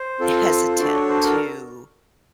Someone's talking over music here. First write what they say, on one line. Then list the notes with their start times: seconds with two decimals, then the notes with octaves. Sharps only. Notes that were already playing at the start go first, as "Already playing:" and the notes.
eh hesitant to,
Already playing: C5
0.20 C4 F4 A4
0.79 D4 F#4 A4 D5
0.94 C#5
1.09 C5
1.24 A#4